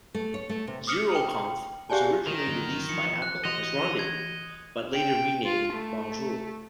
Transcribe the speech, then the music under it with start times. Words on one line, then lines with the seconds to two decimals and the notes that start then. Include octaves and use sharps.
Zeroconf was originally released by Apple as Rendezvous, but later renamed Bonjour.
0.14 A3
0.34 C#5
0.49 A3
0.67 C3
0.87 D6 D#6 F6 C#7
1.15 G5
1.90 G4 G#4 D5 G#5 A5
2.27 D#3 A#4
2.47 G2 D3 F#3
2.89 E3 F3 C#7
3.22 F#6
3.45 E3 F#4 G4 D#5 C6 F7
3.99 G#6
4.95 G5
5.44 F4
5.73 A3